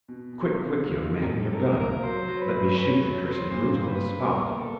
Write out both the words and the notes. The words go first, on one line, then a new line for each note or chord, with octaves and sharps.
"Quick, quick! young man--your gun; let me shoot the cursed brute on the spot."
B2
B2
C3
A#3
D#3
A#4
G3 A4
C3 A#4
A#3 A#4
F#3 C5
F#3
B4
A3
C#4 B4
F#3
F#3 B4
C5
A#2 C5
A#2 C5
B4
G3
B3 A#4
A#2
A4